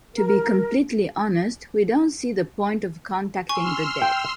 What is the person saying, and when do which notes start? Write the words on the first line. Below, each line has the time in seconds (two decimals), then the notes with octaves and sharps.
To be completely honest, we don't see the point of contacting the dead.
0.14 A#4
3.49 G#5 C6 C#6 E6 F6
4.02 G5